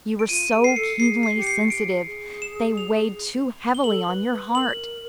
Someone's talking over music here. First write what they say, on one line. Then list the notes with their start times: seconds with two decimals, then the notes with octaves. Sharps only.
You were so keenly sensitive--they weighed too heavily on your heart.
0.19 D7
0.29 F4 D#7
0.52 G#4 D7
0.64 A#4 C7
0.76 A4 C#7
0.99 G#4 C7
1.23 C7
1.35 G4
1.42 C#7
1.47 C7
1.70 G4 D7
2.06 G#4
2.42 E7
2.77 F7
3.75 G7
3.84 A4 F#7
4.08 B4
4.32 B4
4.55 A#4 F#7